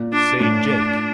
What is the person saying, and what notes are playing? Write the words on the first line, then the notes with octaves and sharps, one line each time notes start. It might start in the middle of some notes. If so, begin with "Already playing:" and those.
"Say, Jake?"
Already playing: A#2
D4
A2 D4